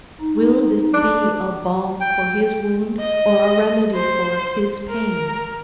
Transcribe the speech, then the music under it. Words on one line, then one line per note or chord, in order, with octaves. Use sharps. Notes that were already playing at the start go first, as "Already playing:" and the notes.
Will this be a balm for his wound or a remedy for his pain?
D#4
D4
G5
D#5
C5
A#4